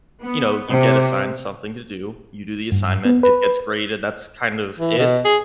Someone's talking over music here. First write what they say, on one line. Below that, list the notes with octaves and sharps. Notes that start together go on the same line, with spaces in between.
you know, you get assigned something to do, you do the assignment, it gets graded, that's kind of it.
B3
C3
G2
B3
B4
E3
B2
G#4